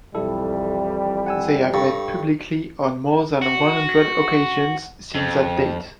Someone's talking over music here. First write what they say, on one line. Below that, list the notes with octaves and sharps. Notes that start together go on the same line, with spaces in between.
They have met publicly on more than one hundred occasions since that date.
B1 F2 E3 G3 E4 A4
F#5 G#5 E6
G2 A4 G5 C#6
F#4
F2